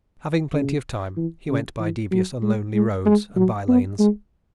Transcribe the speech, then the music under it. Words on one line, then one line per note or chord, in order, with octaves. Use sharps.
Having plenty of time he went by devious and lonely roads and by-lanes.
C#3
E3
C#3
E3
F#3
G#3
G#3
G#3
F#3
B3
G#3